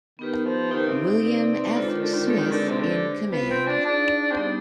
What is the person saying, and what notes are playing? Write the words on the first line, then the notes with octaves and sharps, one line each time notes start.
William F. Smith in command.
D#3 B3 D#4 G4 B4
F3
D#3 D#4 G4 C5 F5
C3
C3
D#4 B4 D5
D3 G#3 D4 F4 C5
D#3
D3
D#3
D3 G#3 C4 D#4 G#4 B4
D#3
D3
C3
D3 D4 G4 C5
B3 F4 C5 F5
C4
D4
D4 D#4 G#4 D5 F5
C4
G3 B3 D4 D#4 G4